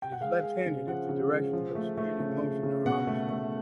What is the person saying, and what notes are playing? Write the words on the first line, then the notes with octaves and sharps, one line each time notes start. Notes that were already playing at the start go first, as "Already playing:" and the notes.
It is left-handed if the directions of spin and motion are opposite.
G5
F#5
G#3 F5
G#3
C#3
F3 F#5
C#3
G#3
F3
A3
A3
C#3
C#3
C#3
B2 F#5
A3
A3